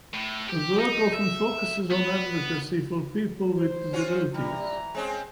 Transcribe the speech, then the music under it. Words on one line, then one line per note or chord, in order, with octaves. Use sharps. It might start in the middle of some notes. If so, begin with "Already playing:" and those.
Her work often focuses on advocacy for people with disabilities.
A2
G4
D#4
E5
B3
C5
C#4 F4 F#4
E3 G3 A#5
G#3 C4 C#4